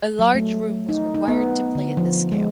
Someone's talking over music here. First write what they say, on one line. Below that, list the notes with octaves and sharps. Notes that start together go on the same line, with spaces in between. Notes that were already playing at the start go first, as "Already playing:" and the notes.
A large room was required to play at this scale.
F#3
A3
D#4
D#4
B3
D3
F3
G#3